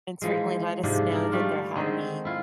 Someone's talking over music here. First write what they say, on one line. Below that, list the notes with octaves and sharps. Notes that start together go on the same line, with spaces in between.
and certainly let us know that they're happy.
E3 F3 G#3
G#2 C3 F3 D4
D4 D#4 A#4
G3 A3 D4 F4
D3 D#3 G#3 C4
E4 F4